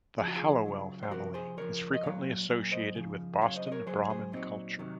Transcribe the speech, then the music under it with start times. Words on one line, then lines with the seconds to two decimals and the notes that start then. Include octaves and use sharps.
The Hallowell family is frequently associated with Boston Brahmin culture.
0.19 F3 G#4
0.24 C#3 F#4
0.36 F4 G#4
0.66 C#3 F#3
1.03 C5
1.11 C3 F3 F#4 A#4
1.34 G#4 C5
1.57 C#3 F3 A#4 C#5
1.94 D#5
2.03 A#2 F#3 C#5 F5
2.50 A#2 F#3
2.72 C5 D#5
2.95 C#3 F3
3.41 C#3 F#3 C#5 F5
3.56 C5 D#5
3.67 D#5
3.72 A#4 C#5
3.87 C#3 F#3 G#4 C5
4.04 C#5
4.10 G#4 C5
4.32 A#2 F#3 C4 D#4
4.79 C3 D#3 F#3